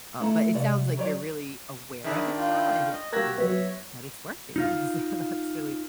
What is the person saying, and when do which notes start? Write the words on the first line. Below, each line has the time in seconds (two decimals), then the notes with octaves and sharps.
um, but it sounds like you're really aware of it now and it, uh that it's working, so, that's really
0.20 A3 E4 A4 A#5
0.54 C3 G#3 D5 F#5
0.97 F#3 C#5 D5
2.04 D#3 D4 E4 G#4 E5
2.37 F4 G5
2.92 D#5
3.13 G3 A#3 F#4 G4 E6 F#6 G#6 A#6
3.38 F#3 B3 C#5 E5
4.56 D#4 F4 F5